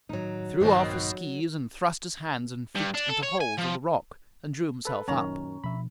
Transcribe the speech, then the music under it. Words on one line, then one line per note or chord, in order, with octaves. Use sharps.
He threw off his skees and thrust his hands and feet into holes of the rock and drew himself up.
A2 D#3 F#3 D#4
A#1 G2 B2 D#3 A#3 C4
G2
D4
A4
C#5
G#5
F3
A4 B4
F#2 A#2 D#3 C#4 C#5 A#5
B2 F3 D4 E5 B5